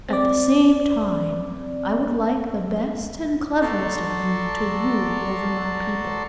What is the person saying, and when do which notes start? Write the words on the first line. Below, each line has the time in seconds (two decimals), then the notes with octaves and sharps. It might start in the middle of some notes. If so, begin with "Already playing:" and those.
At the same time I would like the best and cleverest of you to rule over my people.
0.09 C4 D5
3.62 F#4 A4 D5 A5 A#5 C6